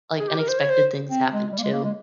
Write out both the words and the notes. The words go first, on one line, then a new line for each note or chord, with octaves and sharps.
like, unexpected things happen, too.
G#4
G4
A#4
C5
C#5
C5
C4
G#3
G3
A#3
G#3
A#3
G#3